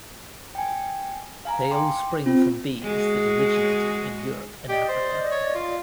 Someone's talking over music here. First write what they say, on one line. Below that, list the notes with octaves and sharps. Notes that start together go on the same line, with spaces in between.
They all spring from bees that originated in Europe and Africa.
G5 G#5
F5 G#5 A#5
G5 C6 D6
C4 F4
G#3 F#4 G#4
G4 D5 D#5
C5
C#5
F4